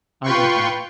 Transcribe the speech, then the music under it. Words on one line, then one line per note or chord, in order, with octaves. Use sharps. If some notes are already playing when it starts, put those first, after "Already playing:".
I get that.
F4 B4 G5 C6 C#6